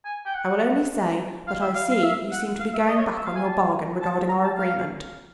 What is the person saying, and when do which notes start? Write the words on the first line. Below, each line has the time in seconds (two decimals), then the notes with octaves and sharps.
I will only say that I see you seem to be going back on your bargain regarding our agreement.
0.05 G#5
0.26 G5
0.34 F#5
1.47 F5
1.61 E5
1.75 F5
1.91 F5
2.03 E5
2.32 F#5
2.60 F5
2.73 E5
2.88 D#5
2.98 C#5
3.07 D5
3.16 E5
3.26 F5
3.36 G#5
3.45 A5
4.02 A5
4.29 A#5
4.44 A5
4.58 F5